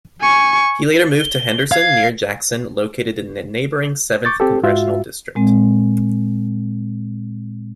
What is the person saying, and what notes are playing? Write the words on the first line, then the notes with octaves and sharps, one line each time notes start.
He later moved to Henderson, near Jackson, located in the neighboring Seventh Congressional District.
G#5 C#6
G7
F5 G#6
C#6 D6 G6 A6
C4 G4 A4
G#2 F4 F#4 E5
A#2 G#3 C4